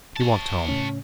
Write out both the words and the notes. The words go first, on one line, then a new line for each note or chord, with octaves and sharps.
She walked home.
C#5 A5
A2 C#3 C#4